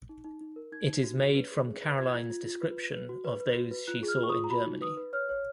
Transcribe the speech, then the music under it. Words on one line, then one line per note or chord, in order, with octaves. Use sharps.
It is made from Caroline's description of those she saw in Germany.
D#4
D#4
D#4
A#4
D#4 G#6
D#4
F#4
C#5
B4
G#4
G#4
B4
F4 G#6
F4
F4
F4
B4
B4
B4
F#4
B4
B4
F#4
B4
F4 F#6
G#4
F6
F4
C#6
D#6
F4
A#5
F#4 B5
D#4
B4 D#6
B4
C#5 F6
C#5